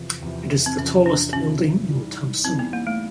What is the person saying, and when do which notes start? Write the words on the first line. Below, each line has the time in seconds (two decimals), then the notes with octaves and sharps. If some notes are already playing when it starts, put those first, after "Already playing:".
It is the tallest building in Tamsui.
Already playing: E2 C3 F3
0.22 E2 C3 F3
0.66 C4
0.78 E2 C3 F3 C#4
1.06 D4
1.33 E2 C3 F3 C#4
1.89 G#2 E3 G3
2.44 G#2 E3 G3 C4
2.59 B3
2.73 A#3
2.87 A3